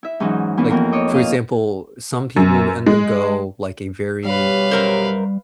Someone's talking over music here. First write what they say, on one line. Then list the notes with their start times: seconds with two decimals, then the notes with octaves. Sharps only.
Like, for example, some people undergo, like, a very
0.03 E4 E5
0.20 G#2 E3 F#3 C#4 D#4 F#4
0.57 E3 A#3 B3 C#4 D4 F#4
0.70 F2 A#3 B3 A#4
0.92 C#5 D#5 D6
1.11 A#3 F4 D#5 F5
2.36 F#2
2.86 G#3
4.25 B2 G3 G4 B4 C#5 F5
4.71 F#2 A#4 C5